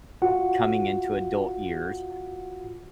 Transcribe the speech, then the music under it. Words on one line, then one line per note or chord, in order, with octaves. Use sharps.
coming-into-adult years,
F4 F#4 F#5